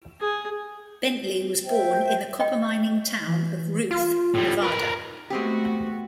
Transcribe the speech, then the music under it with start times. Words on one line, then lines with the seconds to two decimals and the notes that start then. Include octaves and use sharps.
Bentley was born in the copper-mining town of Ruth, Nevada.
0.20 G#4
1.65 C5 E5 G5
2.40 D#5 G5
3.27 E3
3.91 F4
4.35 A2 G3
4.63 A#4 B4
5.30 G#3 A3 B3 C4 F#4 G4